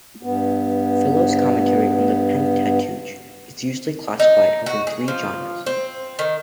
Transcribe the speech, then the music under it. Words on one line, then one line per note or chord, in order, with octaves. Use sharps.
Philo's commentary on the Pentateuch is usually classified within three genres.
G2 B3
D#4
F#4
G#4
F3
C4
D#3